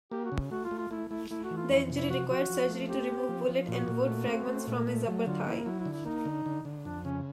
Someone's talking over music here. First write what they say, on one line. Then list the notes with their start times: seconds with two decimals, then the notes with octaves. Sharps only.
The injury required surgery to remove bullet and wood fragments from his upper thigh.
0.11 A#3 G4
0.25 F#4
0.32 C#3
0.51 A3 F#4
0.64 F4
0.71 A3
0.78 F4
0.91 A3 E4
1.10 A3 E4
1.31 A3 E4
1.44 F#4
1.51 E3
1.57 F4
1.70 F2 E4
1.90 C3
1.97 E4
2.10 F3 F#4
2.29 F3 F#4
2.50 F3
2.70 A3
2.89 C4 G4
3.08 C4
3.29 F3
3.48 F3
3.68 A#2 F#4
3.88 A#2
4.08 A3
4.28 C4
4.47 A3
4.67 A#2
4.87 A3
5.07 F#3
5.26 D3 F4
5.46 A#3 E4
5.66 F#3 E4
5.79 E4
5.85 D3
5.93 E4
6.05 A#3 D#4
6.25 D3
6.46 D3
6.65 D3
6.85 F2 D4
7.05 C#3 C#4